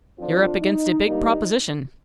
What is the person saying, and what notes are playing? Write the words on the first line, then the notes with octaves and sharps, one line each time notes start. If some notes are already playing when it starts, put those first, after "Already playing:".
"You're up against a big proposition."
D3 F3 C4 D4 F4
D#4
A#2 G3 A#3 D4 D#4